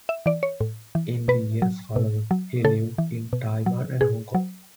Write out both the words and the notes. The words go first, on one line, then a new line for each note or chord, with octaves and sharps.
In the years following, he lived in Taiwan and Hong Kong.
E5
E3 D5
C#5
A2
E3
B2 B4
F#3
B2
F#3
C#3 A4
E3
B2
F#3
B2 G#4
F#3